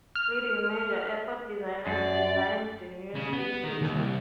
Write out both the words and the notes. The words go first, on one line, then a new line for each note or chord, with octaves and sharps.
Leading major airport designers designed the new spaces.
F6
F#2 D5
C#3
B3
D#3
D#2
C2